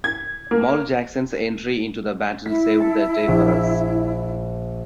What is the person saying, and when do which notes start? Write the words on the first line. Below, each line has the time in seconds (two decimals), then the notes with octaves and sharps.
Mal Jackson's entry into the battle saved the day for us.
0.04 G#6
0.51 A#3
2.46 E4 B6
2.80 A5 C#7
3.28 A#1